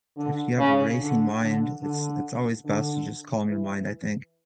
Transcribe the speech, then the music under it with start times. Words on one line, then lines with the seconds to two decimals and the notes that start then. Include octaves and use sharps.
if you have a racing mind, it's it's always best to just calm your mind, I think,
0.17 D3
0.58 C#3
1.00 D3
1.41 D3
1.82 D3
2.64 D3
3.48 E3